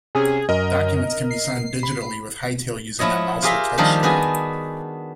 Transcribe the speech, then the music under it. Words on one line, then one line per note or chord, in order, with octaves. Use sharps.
Documents can be signed digitally with Hightail using a mouse or touch-screen.
C3 C#4 G#4
F#2 A#4 D#5
C7
B5
F3 E4 C#5 D#5
F4 G4 G#4 A#4 E5 F5
D#3 F3 G3 A#3 D4 D#4
B3 F#4 G#4 G#5